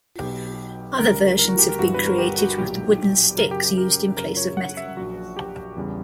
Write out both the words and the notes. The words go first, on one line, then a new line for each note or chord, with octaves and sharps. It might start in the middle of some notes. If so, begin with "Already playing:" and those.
Other versions have been created with wooden sticks used in place of metal.
B1 B2 F#3 G4
D2 C#3 G3 A#4
A#4
F#4
G4
A#4
G1 G2 E3 G3 F#4
B4
A#4
G4
F#4
B1 A#2 F#3 G4
F#2 C#3 F#3 A#4
G4
G4
A#4
F#2 C#3 F#3 A#4
C#5
F#5
E5
A#1 A#2 F#3 F#4
G4
E2 C#3 G3